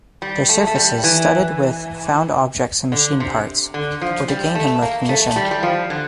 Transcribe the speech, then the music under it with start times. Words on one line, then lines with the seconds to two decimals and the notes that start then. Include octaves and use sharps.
Their surfaces, studded with found objects and machine parts, were to gain him recognition.
0.22 G3
0.49 A3
0.67 A3
0.75 G3
1.04 E3
2.92 D3
3.20 C3
3.74 D3
4.01 F3
4.28 G3
4.55 A3
4.82 A#3
5.09 A3
5.36 G3
5.51 G3
5.63 F3
5.90 D3